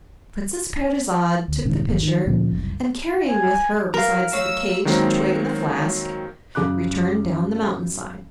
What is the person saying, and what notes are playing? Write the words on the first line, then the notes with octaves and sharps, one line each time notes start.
Princess Parizade took the pitcher, and, carrying with her besides the cage the twig and the flask, returned down the mountain side.
D2
D#1 G#2 C3 D#3
G#1 D#2 C#3 F#3
D#3
D2 A#2 C#3 F3
F#1 C2
G#5
F#3 A#4 B4 F5 A#5
F#3 A3 C#5 F5 E6
D#3 F#3 G#3 A#3 C4
F#2 C#3 D6 F#6